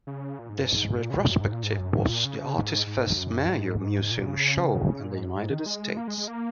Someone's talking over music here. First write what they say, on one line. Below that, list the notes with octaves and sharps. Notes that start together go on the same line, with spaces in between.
This retrospective was the artist's first major museum show in the United States.
C#3
A#2
G#2
F#2
G#2
A#2
C#3
A#2
F#2
G#2
A#2
G#2
F#2
G#2
A#2
C#3
C#3
G#2
G#2
F#2
G#2
A#2
C#3
A#2
G#2
F#2
G#2
D#3
G#3
A#3
G#3
G#3
A#3